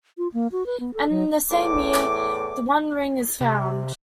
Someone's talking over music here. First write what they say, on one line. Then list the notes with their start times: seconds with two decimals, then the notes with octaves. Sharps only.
And in the same year, the One Ring is found.
0.18 F4
0.34 A#3
0.52 F#4
0.66 B4
0.80 B3
0.94 A4
1.10 F#3
1.51 E2 A2 D6
3.41 C3